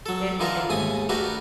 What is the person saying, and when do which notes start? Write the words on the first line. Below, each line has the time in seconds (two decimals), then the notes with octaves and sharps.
And an
0.06 F#3 A4
0.40 D3 E3 D#4 F4 A#4
0.69 D#2 G#2 A3 G#5 D#6
1.09 A3 D4 F#4 G4 A#4 B4